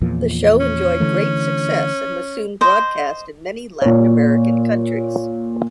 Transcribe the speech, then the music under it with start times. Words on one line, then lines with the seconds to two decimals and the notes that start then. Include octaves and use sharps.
The show enjoyed great success and was soon broadcast in many Latin American countries.
0.02 E2 A#2 F3
0.60 C#4
1.00 D3 E3 A3
2.61 C5 D#5
3.82 A#2 C#5